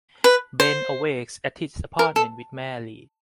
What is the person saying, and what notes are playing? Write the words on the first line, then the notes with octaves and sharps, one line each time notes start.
Ben awakes at his apartment with Mary.
B4
C5
A#4
A4